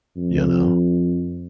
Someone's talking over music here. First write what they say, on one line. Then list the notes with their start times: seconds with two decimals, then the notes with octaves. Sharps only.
you know?
0.16 F2